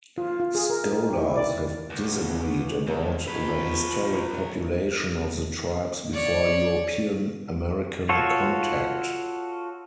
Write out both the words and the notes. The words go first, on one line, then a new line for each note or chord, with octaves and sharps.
Scholars have disagreed about the historic population of the tribes before European-American contact.
F4
F4
G#4
A#4
D#4
G4
E4
D5
C#2 B3
E2
F3 F#3 B4
C#5 D5
F4 F#4 A4 C#5